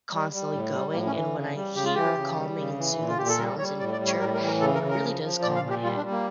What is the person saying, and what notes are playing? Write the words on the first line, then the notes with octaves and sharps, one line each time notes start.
constantly going and when I hear calming and soothing sounds in nature, it really does calm my head.
G3
G3
A2
G3
A2 A#3
C#4
E3
C#3
G3
C#3 G4
F4
E3 G4
C#3
G3
C#3
E3
A#2
F4
A#2 G4
A4
G3 A#4
G3 C#5
A2 D5
D5
G3
C#5
A2 A#4
A#4
E3
A#4
C#3 A4
A#4
C#3
A#4
F3
F3
A#2 D5
F5
A#2
G4
G3 F4
D4
G3
A#3